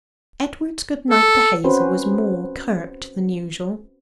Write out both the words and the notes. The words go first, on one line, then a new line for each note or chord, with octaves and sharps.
Edward's good night to Hazel was more curt than usual.
A4
C4 C#4 F#4 B4 C5